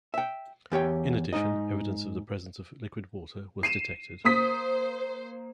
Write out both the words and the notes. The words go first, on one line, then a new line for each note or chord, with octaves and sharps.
In addition, evidence of the presence of liquid water was detected.
E5 G5
E2 G4 C#5 G5
G#2 C#3 D#4 D#5
C7 D#7 E7
A#3 C5 D#6 B6